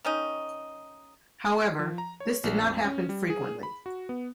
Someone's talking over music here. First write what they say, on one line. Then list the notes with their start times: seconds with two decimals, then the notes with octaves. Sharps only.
However, this did not happen frequently.
0.05 D#3 C#4 D#4
1.79 F3
1.98 A#5
2.20 C#5
2.44 A#1
2.63 F2
2.84 C#4
3.09 G3
3.30 G#4
3.63 B5
3.86 F#4
4.09 B3